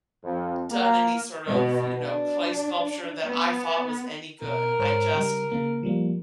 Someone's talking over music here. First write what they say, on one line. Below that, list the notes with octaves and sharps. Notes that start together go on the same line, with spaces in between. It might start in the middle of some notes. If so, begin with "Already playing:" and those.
done any sort of, you know, clay sculpture that I thought was any good. I just
F2
A#3
B2
D4
B3
B2 A#4
G#2 C5 C#5
C#3 G3
C#3 A#3
F3 G3 A#3